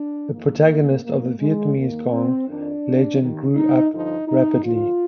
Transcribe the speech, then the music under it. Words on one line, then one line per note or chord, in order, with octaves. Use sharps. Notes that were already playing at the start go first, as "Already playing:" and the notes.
The protagonist of the Vietnamese Giong legend grew up rapidly.
Already playing: D4
F2 D#3 A#3
G#2 F3 A#3
G#3
D#2 D#3 A#3
C4
F2 D#3 D4
D#2 D#3
D#4
G2 D3 F3 D#4
D#4
D#2 D3 F3 F4